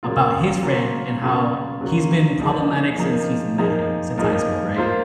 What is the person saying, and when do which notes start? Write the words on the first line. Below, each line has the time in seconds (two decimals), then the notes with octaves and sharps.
about his friend and how he's been problematic since he's met him, since high school, right?
0.03 C#3 F#3 A#3 F4
0.62 C#3 F#3 A#3 F4
1.22 C#3 F#3 A#3 F4
1.81 C#3 F#3 A#3 F4
2.40 F3 A#3 D#4 G#4
2.98 F3 A#3 D#4 G#4
3.58 F3 A#3 D#4 G#4
4.18 F3 A#3 D#4 G#4
4.76 A#3 F4 C5